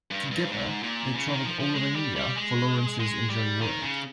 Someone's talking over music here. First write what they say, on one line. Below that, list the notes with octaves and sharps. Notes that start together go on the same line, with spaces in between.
Together, they travelled all over India for Lawrence's engineering work.
G2
G2
G#2
A#2
C#3
D#3
F3
F3
G#3
G3
G3
G#3
G#3
G3
D#3
C#3